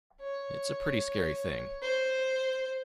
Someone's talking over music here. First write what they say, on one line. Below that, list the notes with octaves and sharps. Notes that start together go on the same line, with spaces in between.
It's a pretty scary thing.
C#5
C5